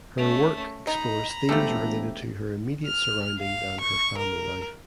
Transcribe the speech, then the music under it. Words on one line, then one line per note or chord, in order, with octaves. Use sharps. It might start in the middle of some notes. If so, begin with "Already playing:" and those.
Her work explores themes related to her immediate surroundings and her family life.
A3 C#4
D#4 A#5 B5
E1 C#3 F3 A3 G4 A4
F6
F5
C#6
A#4